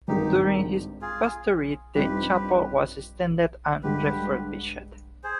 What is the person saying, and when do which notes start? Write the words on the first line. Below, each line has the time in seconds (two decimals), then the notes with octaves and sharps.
During his pastorate the chapel was extended and refurbished.
0.08 G#1 G2 D#3 G#3 D#4 G4
1.01 F4 G#4
1.95 G2 F3 C4 D#4 G4 B4
3.83 G2 D3 G#3 G4 B4
5.24 G#4 C5